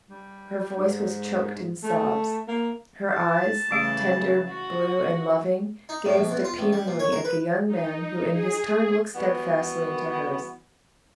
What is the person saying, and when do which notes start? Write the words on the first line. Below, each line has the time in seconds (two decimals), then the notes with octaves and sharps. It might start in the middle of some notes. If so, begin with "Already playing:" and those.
Her voice was choked in sobs, her eyes, tender, blue and loving, gazed appealingly at the young man, who in his turn looked steadfastly into hers.
0.10 G3
0.77 G#2
1.83 A3
2.48 A#3
3.12 A5
3.71 C#3 E3 G3 A3 G4
4.48 F#4
5.89 D#4
6.06 A2
6.17 A#1
6.31 E2
6.45 F4
6.59 A1
6.73 G3
6.88 A#2
6.99 C#5
7.12 A#4
7.25 B4
7.67 D#4
8.31 G#4
9.16 E3 G3 B3 F#4